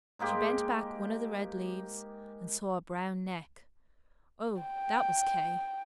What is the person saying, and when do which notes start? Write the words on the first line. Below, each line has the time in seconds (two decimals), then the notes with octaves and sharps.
She bent back one of the red leaves, and saw a brown neck. Oh! that was Kay!
0.19 G#2 G#3 A#3 G4
4.62 G5